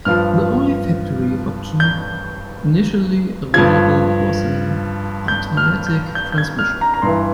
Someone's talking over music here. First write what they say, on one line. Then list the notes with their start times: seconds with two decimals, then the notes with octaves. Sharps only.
The only factory option initially available was an automatic transmission.
0.05 G2 F3 F6
1.80 G6
3.54 G2 F3 G#6
5.28 G6
5.57 F6
5.87 G6
6.15 G6
6.32 G6
6.38 G#6
6.59 F6
6.81 A#5
6.94 A#5
7.02 G2 E3 C6